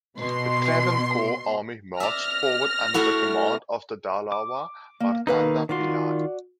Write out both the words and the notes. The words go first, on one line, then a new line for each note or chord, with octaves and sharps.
The Travancore army marched forward under the command of the Dalawa Martanda Pillai.
B2 C6
D5 E5 F6 A#6
A3 E4 F#4
D6
A#3
D#3 A#3 D#4 A4 B4 F5
D#3 F4 F#4 D5 C6